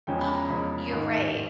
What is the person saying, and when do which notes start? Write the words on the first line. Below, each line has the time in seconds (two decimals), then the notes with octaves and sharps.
"Oh, you're right.
0.07 E2 C#3 F3 G#3 C#4 G5
0.21 B5
0.35 A#5
0.48 E2 C#3 F3 G#3 C#4 B5
0.90 A1 G#2 D#3
1.33 D#3